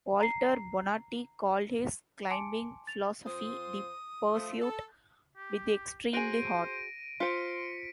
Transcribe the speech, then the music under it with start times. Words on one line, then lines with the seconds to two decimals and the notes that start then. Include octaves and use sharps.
Walter Bonatti called his climbing philosophy "The pursuit with the extremely hard".
0.21 A#5 C7
2.31 G#5 A5 C6 D6 C#7 D7
2.87 A6 F7
3.26 F2 F4 C5 D#6
4.35 F3 A3
4.62 A4
5.37 G4
6.13 F#4 G#4 C5 A#6 D7 D#7
7.20 F4 C5 C6 B6 C#7 D7